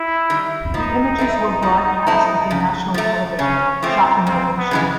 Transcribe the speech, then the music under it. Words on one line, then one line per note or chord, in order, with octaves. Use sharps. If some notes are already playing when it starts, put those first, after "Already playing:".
The images were broadcast over national television, shocking the nation.
Already playing: E4
D#3 G3
F3 D#4
A3 C4 E4
F3
A3 C4 E4
C#3
F3 A3
C#3 C#4
F3 A3 C4
F2 C4
B3
C#3 E3 G#3